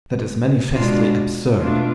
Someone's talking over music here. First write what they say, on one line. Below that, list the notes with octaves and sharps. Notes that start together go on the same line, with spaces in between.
That is manifestly absurd.
B2 G#3 D4 F4
B2 A3 D4 F4